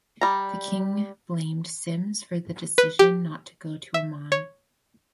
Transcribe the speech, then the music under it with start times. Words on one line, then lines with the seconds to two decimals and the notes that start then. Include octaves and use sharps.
The King blamed Symmes for the decision not to go to Amman.
0.21 G3 A#5
2.78 B4
2.99 G4
3.94 E5
4.32 C#5